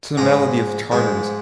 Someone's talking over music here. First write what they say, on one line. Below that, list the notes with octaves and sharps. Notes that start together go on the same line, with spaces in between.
To the melody of Chartres.
G#2 F3 G#3 A#5
G#2 F3 G#3